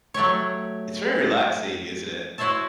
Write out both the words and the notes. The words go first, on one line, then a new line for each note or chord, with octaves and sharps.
It's very relaxing, isn't it?
F#3 A3 G4 C#5
E4 F#4 C5 C#5 E5 A5